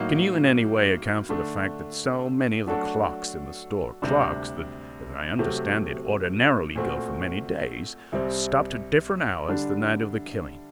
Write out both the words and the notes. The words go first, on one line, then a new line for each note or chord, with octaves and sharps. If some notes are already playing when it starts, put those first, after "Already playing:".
Can you, in any way, account for the fact that so many of the clocks in the store--clocks that, as I understand it, ordinarily go for many days--stopped at different hours the night of the killing?
Already playing: A2 F#3 A#3 D#4
D3 A3 D4
F#3 A3 D4 F#4 A4
D2 C3 G3 D4
C3 F#3 A3 C4
A#2 A3 C4 F#4
C2 C3 G3 C4
D3 G3 D4